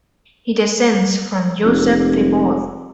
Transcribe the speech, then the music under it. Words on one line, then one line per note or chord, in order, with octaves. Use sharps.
He descends from Joseph Thebaud.
F1